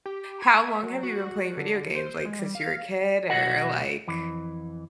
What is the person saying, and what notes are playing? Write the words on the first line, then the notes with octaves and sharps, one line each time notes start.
How long have you been playing video games? Like, since you were a kid, or like,
G4
G#6
E5
F#3
F#4
F#4
D3
C5
G#3
G3
F5
B1 F#4 F#5
F2 E3